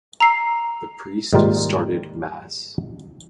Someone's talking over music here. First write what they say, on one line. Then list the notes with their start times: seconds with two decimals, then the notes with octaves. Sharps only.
The priest started mass.
0.20 A#5 E6 C7
1.33 G#2 D#3 G3 A#3 F4